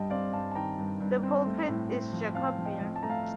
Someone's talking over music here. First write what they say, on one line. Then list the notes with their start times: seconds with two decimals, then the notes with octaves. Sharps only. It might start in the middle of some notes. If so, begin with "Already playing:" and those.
The pulpit is Jacobean.
Already playing: G2 G3 D#5 G5 A5
0.10 C4 D5 F5
0.33 G2 F5 A5
0.51 A5
0.55 D#3 G5 A#5
0.78 G2
1.00 G2
1.23 C4
1.46 A3
1.68 A2
1.90 C4
2.13 F3
2.35 C4 F5 A5
2.58 F3
2.65 D#5 G5
2.81 F3
2.96 A5
3.03 A3 A#5
3.10 F5 A5